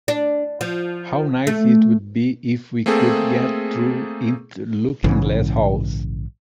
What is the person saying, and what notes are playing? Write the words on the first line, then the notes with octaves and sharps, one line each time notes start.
How nice it would be if we could get through into Looking-glass House!
D4
F3
A3
A3 A#3 C4 G#4 A4
A#1 G#2 C#3 E3